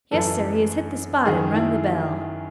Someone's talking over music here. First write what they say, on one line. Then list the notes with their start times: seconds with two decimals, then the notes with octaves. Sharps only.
Yes, Sir, he has hit the spot and rung the bell.
0.11 F#2 E3 A4
1.25 F#2 D#3 G#4
1.55 E4